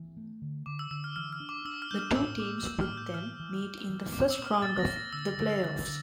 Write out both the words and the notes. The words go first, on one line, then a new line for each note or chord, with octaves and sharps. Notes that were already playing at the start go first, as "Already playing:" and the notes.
The two teams would then meet in the first round of the playoffs.
Already playing: E3
A3
D3
D3 D6
E6
D3 E6
F6
E3 F6
F6
D4
D6
D4 E6
F6
D4 G6
F6
A2 E6
A#3 D6
A#3 E6
F6
A2
G6
E3 F6
E3
G3
E3
C4 D6
E6
A#2
F6
A#2 A6
A#6
A#2
A#6
D3 E6
D3
D3
D3